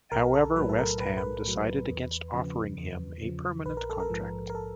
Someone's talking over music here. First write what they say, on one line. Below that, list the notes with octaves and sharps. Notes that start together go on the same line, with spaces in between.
However, West Ham decided against offering him a permanent contract.
B1 A#4
A4
A2 F#3 B4
A4
A#4
B1 B4
B4
A2 F#3
E2
C#3 F3
E2
C#3 F3
A#1 B4
A#4
A4
A#4
G#2 F3
A#4
A4